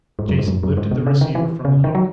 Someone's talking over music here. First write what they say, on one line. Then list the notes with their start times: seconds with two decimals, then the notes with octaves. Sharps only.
Jason lifted the receiver from the hook.
0.19 G#2
0.29 F#2
0.39 G#2
0.48 F#2
0.63 F#2
0.77 G#2
0.91 B2
1.07 C#3
1.21 D#3
1.35 E3
1.65 C#3
1.84 D#3
1.95 F#3